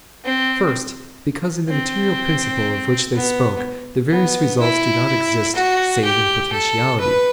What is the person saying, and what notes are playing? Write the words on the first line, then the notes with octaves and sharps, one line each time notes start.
First, because in the material principle of which they spoke, the various results do not exist save in potentiality.
C4
C4
B3
B3
E4
F#4
G4
A4
B4